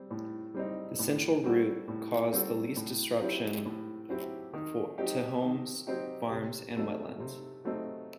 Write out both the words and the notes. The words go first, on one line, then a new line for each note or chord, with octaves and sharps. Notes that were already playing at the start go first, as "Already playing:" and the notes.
The central route caused the least disruption to homes, farms and wetlands.
Already playing: G3 C4
A2
G3 C4 D#4
A2
G3 C4 F#4 A4
A2
G3 C4 F#4 A4
A2
F#3 C4 E4 G4
A2
F#3 C4 E4 G4
D#3
F#3 C4 D#4 G4
D#3
F#3 C4 D#4 G4
C3
F#3 A3 C4 D#4
C3
F#3 A3 C4 D#4